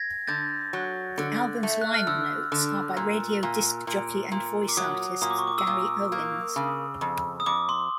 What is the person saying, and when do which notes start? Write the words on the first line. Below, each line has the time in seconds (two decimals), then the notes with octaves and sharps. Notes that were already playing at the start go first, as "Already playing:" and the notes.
The album's liner notes are by radio disc jockey and voice artist Gary Owens.
Already playing: G#6 A#6
0.27 D3 G6 A6
0.73 F#3
1.18 D3
1.63 A3
1.81 F#6
1.94 F6
2.07 D3 E6
2.52 D3
2.97 A#2
3.43 A#2
3.87 A#2
4.32 A#2
4.69 D6
4.77 F#3 D#6
5.22 A#2 D#6
5.31 D6
5.39 C#6
5.47 D6
5.58 E6
5.66 A#2 D#6
6.12 A#3
6.56 C#3
7.01 F2
7.40 D#6
7.46 F2 D6
7.69 C6